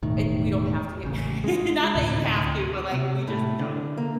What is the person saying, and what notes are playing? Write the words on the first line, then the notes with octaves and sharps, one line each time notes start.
it we don't have to get married, not that you have to, but like we just don't.
E1 A2 D#3
A1 C#3
G#3
D2 A2 C3
C3
A2
D3
A#3